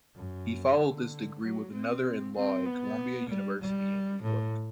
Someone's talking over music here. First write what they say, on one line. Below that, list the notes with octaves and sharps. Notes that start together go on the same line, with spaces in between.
He followed this degree with another in law at Columbia University in New York.
F#2
D3
F#3
C4
C4
B3
G3
G3
A2